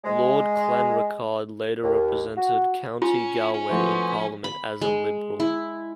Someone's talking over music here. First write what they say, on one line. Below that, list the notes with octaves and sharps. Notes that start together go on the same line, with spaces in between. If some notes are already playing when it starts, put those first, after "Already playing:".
Lord Clanricarde later represented County Galway in Parliament as a Liberal.
G#3
D#2
F#4
C#4 F4
C#4
F3 A3 B3 E4 F#4 C5
B5
G#3
E4